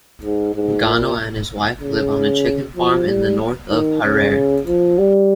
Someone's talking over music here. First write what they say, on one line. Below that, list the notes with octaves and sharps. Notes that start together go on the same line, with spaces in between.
Gono and his wife live on a chicken farm in the north of Harare.
G#2
G#2
A#2
C#3
F3
G3
D#3
C#3
F3
G3